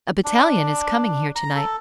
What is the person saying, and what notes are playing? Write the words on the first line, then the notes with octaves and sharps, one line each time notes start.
"A battalion is coming here to-night."
D4
A#5
A4